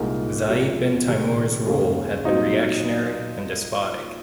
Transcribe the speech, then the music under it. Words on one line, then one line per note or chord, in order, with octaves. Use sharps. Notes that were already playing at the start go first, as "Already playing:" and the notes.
Said bin Taimur's rule had been reactionary and despotic.
Already playing: C2 A#2 G#3 D#4 A#4
C3 F3 G#3
C3 D#3 G#3
D#2 C#3 G#3
A#2 F#3 C4 D#4